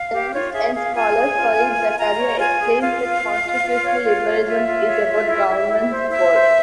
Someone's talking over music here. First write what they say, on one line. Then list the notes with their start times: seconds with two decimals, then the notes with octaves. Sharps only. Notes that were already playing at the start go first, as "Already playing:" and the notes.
The journalist and scholar Fareed Zakaria explains that constitutional liberalism is about government's goals.
Already playing: F5
0.12 G4
0.33 F4 C#5
0.53 G#4 E5
0.74 G#4 F5
0.94 F4 G#5
1.16 G#4
1.37 F4
1.57 F4
1.77 F4
1.98 F4 A#5
2.18 C#5
2.39 F4 G#5
2.60 G#4
2.81 F4 F5
3.02 F4
3.22 F4
3.43 F4
3.63 F4
3.83 C#5
4.04 F4
4.25 C#5
4.45 F4 E5
4.67 F4
4.87 C#5
5.08 F4
5.28 E4
5.49 E4
5.69 E4
5.90 C5
6.10 E4 E5
6.32 C5